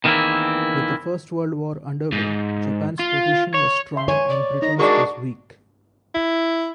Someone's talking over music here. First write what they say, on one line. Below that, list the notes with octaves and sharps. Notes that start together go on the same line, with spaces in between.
With the First World War underway, Japan's position was strong and Britain's was weak.
E2 D#3 E3 A#3 C4 E4
G#2
F4
C#5
E5 C6
C#5 G#5
D5
D#4 A#6
G#3 D4 F#4 A#4 D5 C#6
E4